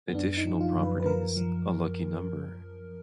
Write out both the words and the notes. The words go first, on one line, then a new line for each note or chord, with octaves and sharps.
Additional properties: a lucky number.
B3
F#2 D4
D#4
F3
F4
F#2
B4
B4
F3 A#4
F3